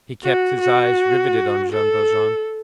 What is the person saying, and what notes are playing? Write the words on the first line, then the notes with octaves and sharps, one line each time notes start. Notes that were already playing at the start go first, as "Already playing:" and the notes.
He kept his eyes riveted on Jean Valjean.
F#4
F#4
A4